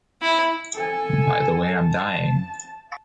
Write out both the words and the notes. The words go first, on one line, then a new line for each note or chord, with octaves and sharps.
By the way I’m dying.
E4
A4 G#5
A5